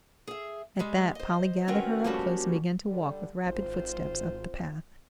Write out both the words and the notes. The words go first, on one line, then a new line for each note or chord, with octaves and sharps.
At that Polly gathered her up close and began to walk with rapid footsteps up the path.
G#4 E5
G3 G#3
C5 D#5
D#3 C4 C#4 F#4 A#4 B4
F3 G3 A3 A#3 C#4 F#4
D3 G3
G#1 C4 F4 C5